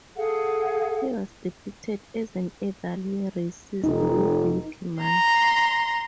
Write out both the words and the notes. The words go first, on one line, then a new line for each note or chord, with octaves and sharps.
He was depicted as an elderly racist with little money.
G#4 A4 F5 F#5
F1 D#4
A#5 C6